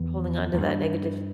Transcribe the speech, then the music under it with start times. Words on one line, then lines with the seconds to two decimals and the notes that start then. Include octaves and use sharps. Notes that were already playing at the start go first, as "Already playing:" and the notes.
Holding on to that negative,
Already playing: E2
0.54 E2
0.58 G2